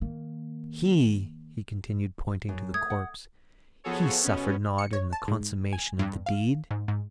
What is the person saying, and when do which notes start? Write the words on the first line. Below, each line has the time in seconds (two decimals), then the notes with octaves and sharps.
He," he continued, pointing to the corpse, "he suffered not in the consummation of the deed.
0.01 D#3 A#3
2.49 F#2
2.74 A3 D#6 G#6
2.90 F#5
3.84 F3 B3 F#4 G#4 A4 C#5
4.23 B2 B3 C#4
4.78 C#7
4.93 C#5
5.13 A5
5.28 G#2
5.73 G#5
5.99 G2
6.26 F5
6.71 G#2
6.88 G#2